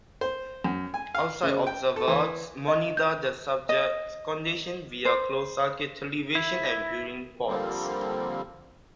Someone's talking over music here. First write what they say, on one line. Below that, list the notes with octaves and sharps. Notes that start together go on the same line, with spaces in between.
Outside observers monitor the subjects' condition via closed circuit television and viewing ports.
C5
F#2
G#5
F5
C#3
G5
A4
E3
D#5
G6
D#5
C5
E4
D3 F3 G3 A#3 C4